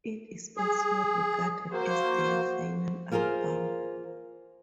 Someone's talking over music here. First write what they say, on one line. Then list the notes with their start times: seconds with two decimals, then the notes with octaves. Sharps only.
It is also regarded as their final album.
0.57 G#4
1.72 A#3 F#4 C5
3.11 A#3 F4 G#4 A#4 C5